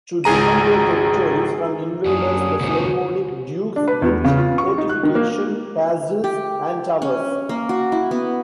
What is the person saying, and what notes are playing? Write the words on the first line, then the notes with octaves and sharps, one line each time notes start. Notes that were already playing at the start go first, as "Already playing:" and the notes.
To defend their territories from invaders the Slavonic dukes built fortification castles and towers.
G#1 C#2 G#4 A#5 D#7
F#2 A#3 C#4 D4 G#4
D2 B2 D#3 C5 G#5
D4
B4
E2
C#3
F4
C#6
D#4
F#6
D#3
A#3
G4
C#4
A#3
F#4
E4
B3